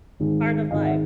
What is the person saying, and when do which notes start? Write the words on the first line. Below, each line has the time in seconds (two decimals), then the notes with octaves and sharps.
part of life.
0.20 G#1 G#2 D#3 G#3
0.71 G#1 G#2 D#3 G#3 D#5 F5
0.84 E5 F#5